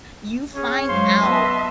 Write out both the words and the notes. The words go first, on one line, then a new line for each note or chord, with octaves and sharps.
you find out
C#4 G#4 C#5
F#2 G#3 C5 F5 C6
B3 B4 D#5 E5 A5